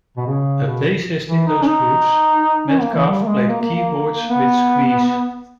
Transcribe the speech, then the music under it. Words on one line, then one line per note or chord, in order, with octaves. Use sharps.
A bassist in those groups, Metcalfe played keyboards with Squeeze.
B2
C#3
B2
E3
D#4
C#4
D#4
C#4
A#3
E3
G3
A#3
G#3
A#3
A#3
A#3
B3